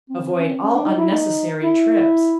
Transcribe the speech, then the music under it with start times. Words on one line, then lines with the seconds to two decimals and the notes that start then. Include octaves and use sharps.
Avoid all unnecessary trips.
0.09 C4
0.40 C#4
0.48 C4
0.60 C#4
0.74 D4
0.86 D#4
0.98 E4
1.10 D#4
1.63 E4